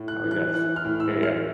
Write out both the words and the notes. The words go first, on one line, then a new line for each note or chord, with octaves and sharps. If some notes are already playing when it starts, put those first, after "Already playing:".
Oh, yes. Yeah, yeah.
Already playing: A2
F#6
E3
F#6
E3 F#6
F6
A2
E6
E3
F6